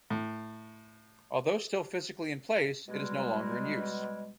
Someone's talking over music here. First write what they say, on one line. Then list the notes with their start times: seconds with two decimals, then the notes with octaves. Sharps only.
Although still physically in place, it is no longer in use.
0.10 A2
2.88 B2 G3 G#3